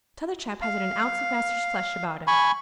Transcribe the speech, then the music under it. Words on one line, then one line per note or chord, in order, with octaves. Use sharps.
T'other chap hasn't an ounce of measter's flesh about him.
F5
G#5 B5 C#6